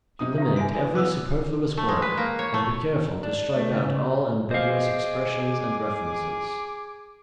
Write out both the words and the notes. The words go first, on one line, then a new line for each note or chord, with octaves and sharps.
Eliminate every superfluous word and be careful to strike out all ambiguous expressions and references.
C3 D#4 D#6
E4 G4 E5
F#4 E5 G#5 D6
E2
B3 F5 D6 E6 F#6
A3
G#3
B4
A#3
C#5
A3
D4
A3
C#3
G#4 C5 D#5 F5 D6